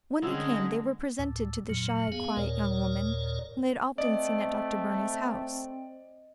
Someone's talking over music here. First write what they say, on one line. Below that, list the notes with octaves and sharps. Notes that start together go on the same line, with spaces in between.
When they came they were presented to the shy, quiet young woman whom they had often seen at Dr. Burney's house.
D3 D#3 G3 G#3 C4 C#4 E6
D2 A2
F2 A#2 F#3
B3 G#4 F5 G#5
D#2 A#2 A#4 C#5 D5
A3 C4 D5 D#5